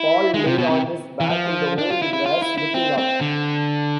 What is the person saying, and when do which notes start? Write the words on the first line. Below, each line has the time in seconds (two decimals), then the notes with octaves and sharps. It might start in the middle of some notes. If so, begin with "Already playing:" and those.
Paul lay on his back in the old grass, looking up.
Already playing: E4
0.34 G#3
0.46 C3
0.58 B2
0.70 C3
1.20 E3
1.29 F3
1.78 D4
1.90 F4
2.02 E4
2.13 E4
2.26 F4
2.42 E4
2.58 E4
2.74 C4
2.98 C4
3.21 D3